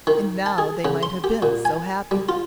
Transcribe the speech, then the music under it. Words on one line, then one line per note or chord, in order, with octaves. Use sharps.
And now they might have been so happy!
D#3
A5
G#4
C#3
C6
G4
A#2
G#5
G3
F4